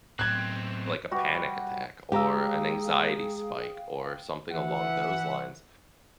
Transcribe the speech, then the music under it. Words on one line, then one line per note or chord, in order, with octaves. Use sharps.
like a panic attack or an anxiety spike or something along those lines,
B1 A2 F#3 C4 F#6 G#6
G3 F#4
G#3 G4 G#4 F5 G5 A#5 E6
E3 E5 F#5